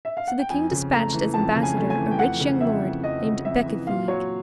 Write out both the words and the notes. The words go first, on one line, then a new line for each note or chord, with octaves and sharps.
So the King despatched as ambassador a rich young lord named Becafigue.
E5
F5
F#5
G5
F2 G#5
C#3
A3 A#5
E3
F2 A5
C#3
G#5
A3
G#5
E3
G5
F2 F#5
C#3
F2 E5
E3
F2 D#5
C#3
F2 E5
E3
A#2 F5
F#3 C#5